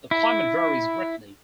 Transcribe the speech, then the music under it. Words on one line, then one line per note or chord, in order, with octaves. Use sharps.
The climate varies greatly.
E4